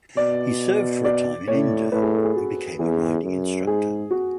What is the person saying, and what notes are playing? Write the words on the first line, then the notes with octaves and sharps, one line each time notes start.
He served for a time in India, and became a Riding Instructor.
B2 D5
D5
A2 C#5
A2 B4
G#4
A4
G#4
F#4
E2 G#4
F#2
G#2 G#4
F#4